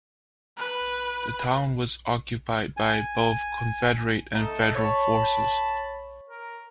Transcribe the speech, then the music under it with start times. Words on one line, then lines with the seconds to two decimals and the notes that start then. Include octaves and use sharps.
The town was occupied by both Confederate and Federal forces.
0.57 B4
2.77 G#5
4.35 A3 D#4 A4
4.75 C#5 A5 B5
6.29 A#4